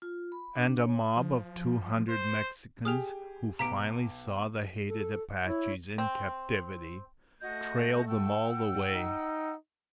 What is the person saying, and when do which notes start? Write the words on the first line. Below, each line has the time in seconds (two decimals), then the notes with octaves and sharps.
And a mob of two hundred Mexicans, who finally saw the hated Apaches in captivity, trailed them all the way.
0.02 F4
0.32 B5
0.56 D4
0.81 C#5
1.17 F3
2.09 C5
2.85 G4 G#4 D#6 F6 F7
3.59 B1 A#5 D6 B6 D7
4.89 A4
5.46 E4 C#5
5.98 C4
7.41 A3 F#4 D#5 G6
8.07 F#5 G5 E6
8.92 D#4